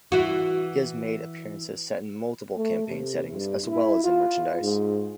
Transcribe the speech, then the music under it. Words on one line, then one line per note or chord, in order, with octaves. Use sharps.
He has made appearances set in multiple campaign settings as well as in merchandise.
E3 F#4
A3
C3
G2
E4
F4
G#2